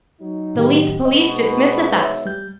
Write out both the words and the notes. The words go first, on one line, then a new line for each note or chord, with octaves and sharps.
The Leith police dismisseth us.
F#3 D#4
A2 D#3 G4
G#2 B2 D#5
C#5 E5
G3 G6